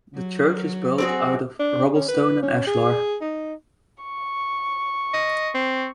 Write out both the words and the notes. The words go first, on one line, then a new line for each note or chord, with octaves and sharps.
The church is built out of rubble stone and ashlar.
F#3
C4 F#4 G#4
D4
C#4
B4
C#4
G#4
D#4
C#6
D#5
C4